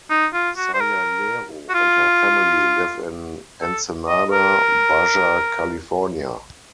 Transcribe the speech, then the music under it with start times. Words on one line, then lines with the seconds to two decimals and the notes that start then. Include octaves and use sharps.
Sayalero and her family live in Ensenada, Baja California.
0.10 D#4
0.34 F4
0.57 F#4
0.74 C5
0.80 A#4
1.69 F#4
1.74 F4
3.62 A4
4.08 D#5
4.32 A#4